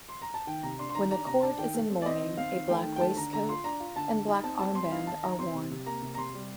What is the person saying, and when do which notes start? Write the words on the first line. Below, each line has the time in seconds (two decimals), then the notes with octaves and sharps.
When the court is in mourning a black waistcoat and black armband are worn.
0.09 C6
0.22 A#5
0.34 A5
0.47 D#3 G5
0.63 C3 A#5
0.79 D4 C6
0.89 C6
0.95 D#3 A#5
1.11 D4 A#5
1.26 C3 A#5
1.42 D4 A5
1.58 D#3 G5
1.74 A3
1.90 C4
2.02 D5
2.06 C4 D#5
2.22 D#3
2.37 C4 F5
2.53 D#3
2.69 A3 G5
2.85 D#3
2.96 G5
3.01 A3 A5
3.17 D3 A#5
3.33 D3 A#5
3.49 F4 C6
3.64 D4 A#5
3.80 F4
3.96 D3 A5
4.12 D3
4.28 D#4
4.44 C4 A5
4.60 G3 A5
4.75 C4 C6
4.92 D#4 F5
5.07 D#3 A5
5.23 D#4 A#5
5.39 C4 C6
5.55 C3
5.71 C3
5.86 A#3 A#5
6.02 C3
6.14 A#5
6.18 C3 C6
6.34 G3